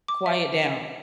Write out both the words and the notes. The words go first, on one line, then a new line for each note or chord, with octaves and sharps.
Quiet down.
D6
E5